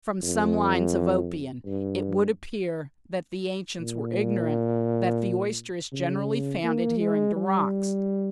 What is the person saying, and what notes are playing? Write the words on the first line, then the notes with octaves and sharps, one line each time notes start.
From some lines of Oppian, it would appear that the ancients were ignorant that the oyster is generally found adhering to rocks.
F2
G2
A#2
C#3
A#3
G#3
G3